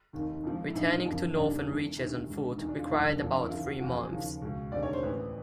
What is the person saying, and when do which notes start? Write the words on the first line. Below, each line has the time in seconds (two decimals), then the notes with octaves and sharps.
Returning to northern reaches on foot required about three months.
0.13 F1 D#2 D#3
0.44 G#1 G#2 F3
0.67 E4
0.75 A#1 A2 E3 D#4
1.05 F#1 F2 D3 F3
1.35 E1 E2 C3 D#3 D4
1.66 G#1 G2 E3
1.96 E1 D2 C3 D#3 E4
2.27 A#1 G#2 D#3
2.58 F1 E2 B2 D#4
2.68 D4
2.78 F4
2.89 E1 D2 D3 F3 D#4
3.19 F#1 F2 D3 F3
3.41 E4
3.50 D#2 C#3 E3 F4
3.66 F#4
3.81 E2 C#3 F3 F#4
3.96 G#4
4.12 D#2 C#3 F3
4.42 C#2 B2
4.72 E1 D2 C3 D#3 D5
4.83 C#5
4.93 C5
5.03 A1 A2 E3 B4